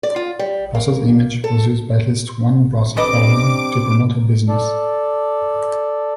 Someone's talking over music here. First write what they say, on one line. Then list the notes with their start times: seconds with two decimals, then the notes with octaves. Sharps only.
Busse's image was used by at least one brothel owner to promote her business.
0.03 D5
0.16 F4
0.39 G3
0.75 A#3
1.44 A4
2.97 G3 C4 D4 A4 B4 D#5 D6
4.49 A4 D5